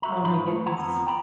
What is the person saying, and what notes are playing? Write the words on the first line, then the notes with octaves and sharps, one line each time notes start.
Oh my goodness.
F#4 E5 A#5
G#2 D#3 G#3 D#4 B5
A3
E4 F#5 A5 A#5
F2 F3 B3 A#5
G5 A#5 B5